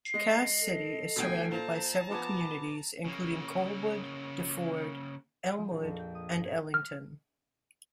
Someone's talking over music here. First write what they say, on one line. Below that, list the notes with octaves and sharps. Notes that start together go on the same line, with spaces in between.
Cass City is surrounded by several communities including Colwood, Deford, Elmwood and Ellington.
G#3 D#5
A4
D2 B2 G5 G#5
A#2 C5 A5 A#5
F3 B3 B4 G#5 D6
C#3 A#3
F3
A#1
F2
G5
D#6
G2
G#6
F6